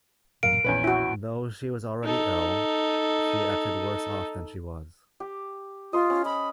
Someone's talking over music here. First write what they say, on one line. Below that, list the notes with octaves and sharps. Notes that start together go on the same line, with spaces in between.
Though she was already ill, she acted worse off than she was.
A1 F#2 A#2 A#4 F5 D7
A#1 E2 C#4 B4
E4 F#4
D#4 A4
G4
F4 D#5 C6
C#4
D#5 B5